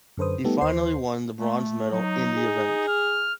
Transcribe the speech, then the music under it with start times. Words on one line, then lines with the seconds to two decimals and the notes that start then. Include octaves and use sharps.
He finally won the bronze medal in the event.
0.17 F#2 D3 A4 B4 C5 D#6
0.44 G3 A3 B3 D#4 G4 A4
0.61 D#2 C5 C7
1.40 A3
1.92 F#3 D#4
2.37 G#4
2.88 F6